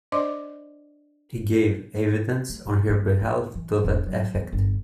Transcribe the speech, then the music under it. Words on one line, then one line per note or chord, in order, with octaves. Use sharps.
He gave evidence on her behalf to that effect.
D4 C5 D5 D#5 C6 D6
A3
B2
A#3
D2
E3
E1
F#3
E2
G1